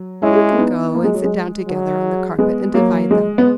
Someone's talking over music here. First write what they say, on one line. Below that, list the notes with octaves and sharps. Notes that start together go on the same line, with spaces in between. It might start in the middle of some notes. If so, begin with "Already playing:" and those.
You can go and sit down together on the carpet and divide them.
Already playing: F#3
G#3 C#4 E4
B3 D#4
A#3
G#3
F#3
G#3
F#3
G#3 B3
F#3 A#3
G#3
B3